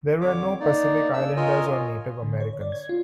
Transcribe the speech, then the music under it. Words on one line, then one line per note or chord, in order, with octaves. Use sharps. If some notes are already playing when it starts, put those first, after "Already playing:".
There were no Pacific Islanders or Native Americans.
F2 D3 C#5 D6
A#3 D#4 D5
C#3 D4 E6
F4 A#4 C#5 D#5 G#5
D3
C#5
D5
G#6
F4